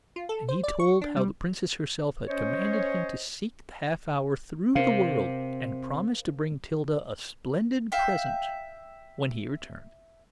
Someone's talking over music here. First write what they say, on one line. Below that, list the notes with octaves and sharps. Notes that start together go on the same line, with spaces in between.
And he told how the Princess herself had commanded him to seek the half-hour through the world, and promised to bring Tilda a splendid present when he returned.
F4
A4
C5
D5
C#6
D4
G3
C#4 C5 C#5 D#5
C3 A#4 C5 F5
E5 F5 G5